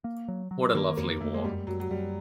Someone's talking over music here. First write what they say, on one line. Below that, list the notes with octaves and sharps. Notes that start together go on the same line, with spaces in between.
What a Lovely War.
A#3
F#3
F#3
D#3 A#3
F2 A#3
F2 A3
G#3
F#2 G3
F#2 F#3
F#3
F#2 G3